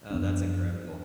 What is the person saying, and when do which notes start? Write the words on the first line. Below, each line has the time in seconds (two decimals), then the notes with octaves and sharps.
Oh, that's incredible.
0.10 F#2 F3 B3 D4